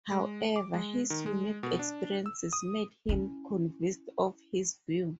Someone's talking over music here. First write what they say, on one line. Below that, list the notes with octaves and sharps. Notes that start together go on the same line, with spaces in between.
However, his unique experiences made him convinced of his view.
G#3
D6
G#3
D#3
G#3
B2
D4
E6
D#6
C#4 E4